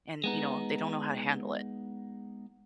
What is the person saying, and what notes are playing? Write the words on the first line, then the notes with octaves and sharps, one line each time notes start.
and, you know, they don't know how to handle it,
G#3 B3 D#4